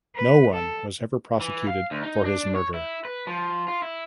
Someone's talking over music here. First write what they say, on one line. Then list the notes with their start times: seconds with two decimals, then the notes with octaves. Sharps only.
No one was ever prosecuted for his murder.
0.16 B4
0.54 A4
1.41 E3
1.67 F5
1.91 D2
2.03 D#4
2.25 D4
2.55 C#5
2.74 E4
3.05 B4
3.27 F3
3.68 F4
3.82 E4